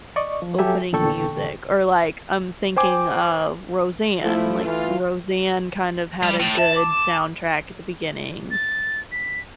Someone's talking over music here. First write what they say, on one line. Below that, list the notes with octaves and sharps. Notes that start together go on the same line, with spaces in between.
opening music. Or, like, I'm thinking of Roseanne. Like, Roseanne kind of had a good soundtrack at the beginning.
D5 D#5 C#6
F3
F#3 G4 A4 E5 G#5
E2 A#2 D3 A4 G5 C#6
C5 G5 G#5 D6
F3 A3 E4
E3 F4
G3
A2
E5 A5
D6
A6
B6